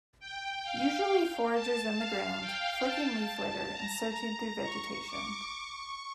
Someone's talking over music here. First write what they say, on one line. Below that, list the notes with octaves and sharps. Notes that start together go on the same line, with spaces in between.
Usually forages in the ground, flicking leaf litter and searching through vegetation.
G5
F5
A5
F5
G5
A5
A#5
C#6
D6
C#6